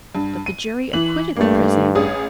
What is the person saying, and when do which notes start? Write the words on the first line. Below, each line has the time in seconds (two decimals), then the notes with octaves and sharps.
But the jury acquitted the prisoner.
0.15 G2
0.46 D#7
0.93 E3 F#7
1.36 G2 A3 A#3
1.95 A1 G#4 D#6